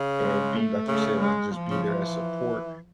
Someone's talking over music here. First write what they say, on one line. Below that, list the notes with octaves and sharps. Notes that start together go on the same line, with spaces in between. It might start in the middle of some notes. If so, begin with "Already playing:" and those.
and be like you said, like just be there as support,
Already playing: C#3
G#3
A3
C#3
G#3
F3
C#3
E3